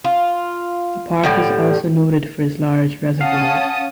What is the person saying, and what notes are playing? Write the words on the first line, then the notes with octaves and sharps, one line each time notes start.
The park is also noted for its large reservoirs.
F4
A2 D3 G3
C#4 F5 F#5 A5 D#6